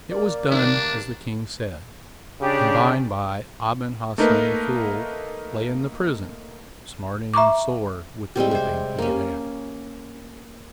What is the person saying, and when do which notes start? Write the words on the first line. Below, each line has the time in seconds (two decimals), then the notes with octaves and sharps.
It was done as the king said, and by-and-by Aben Hassen the Fool lay in the prison, smarting and sore with the whipping he had had.
0.11 A#3 D5
0.51 G1 D#3 G3 D4
2.41 C#3 D4 G4
4.18 A3 A#3 D#4 A#4 B4
7.34 E5 A#5 C#6 D6
8.36 G3 G#3 C4 G4
8.51 C3 C5
8.98 A#3 C#4